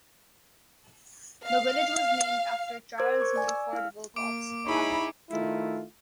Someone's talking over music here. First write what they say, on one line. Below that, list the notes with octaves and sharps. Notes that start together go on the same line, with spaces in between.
The village was named after Charles Milford Wilcox, founder.
F5
A#4 C5 D6 E6 G#6
C#6 D6 G#6
D5 G#5
E6
E4 F5 F6
A#3 D6 D7
D#4 E4 G#4 C#5 B5
D#3 A3 E4 F4